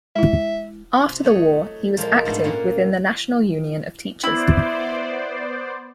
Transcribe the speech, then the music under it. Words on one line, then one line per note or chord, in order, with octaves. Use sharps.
After the war he was active within the National Union of Teachers.
G#3 E4 E5
C3
F#3 A3 C#5 D#5
A#2 F3 G#3 A#3
G#2 A3 B3 D4
A#2 A#3 C#4 F#5
B3 E4 C5 D5